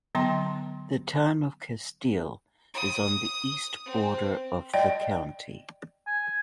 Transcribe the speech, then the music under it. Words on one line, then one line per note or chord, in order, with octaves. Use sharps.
The Town of Castile is on the east border of the county.
D3 F#3 B3 G5 A#5 C6
D#6
C4
D5 D#5 G5
G#5